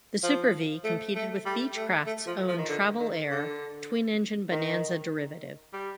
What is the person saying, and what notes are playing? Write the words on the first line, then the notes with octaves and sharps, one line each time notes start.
The Super-V competed with Beechcraft's own Travel Air twin-engine Bonanza derivative.
F3
A3
A3
G3
A3
A3
F3
F3
D#3
D3
D#3
D3
D#3
G3